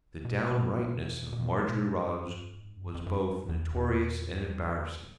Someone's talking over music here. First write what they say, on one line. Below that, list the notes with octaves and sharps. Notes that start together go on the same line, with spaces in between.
The downrightness of Marjorie Rogers was both notorious and embarrassing.
B2
B2
B2
B2
A#2
B2
B2
G#2
F#2
F2
G2
F#2
G2
G#2
F#2
F2
F#2
F2
E2
E2